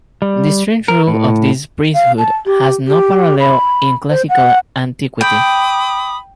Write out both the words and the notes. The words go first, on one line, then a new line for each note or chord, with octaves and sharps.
The strange rule of this priesthood has no parallel in classical antiquity.
G3
A#4
A2
F5
A5
G4
G4
B5
C5
F#5
G5 B5 D6 D#6